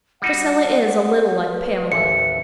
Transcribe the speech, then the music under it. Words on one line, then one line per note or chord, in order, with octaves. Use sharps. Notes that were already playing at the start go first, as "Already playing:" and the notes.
"Priscilla is a little like Pamela."
G3 D#4 F#4 F#5
B4
A1 D#2 E5 C#7